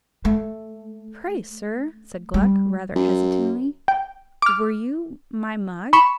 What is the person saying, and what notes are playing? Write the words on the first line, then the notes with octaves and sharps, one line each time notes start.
"Pray, sir," said Gluck, rather hesitatingly, "were you my mug?"
A3
G3
F#2
G5
D6 F6
B5 C#6 E7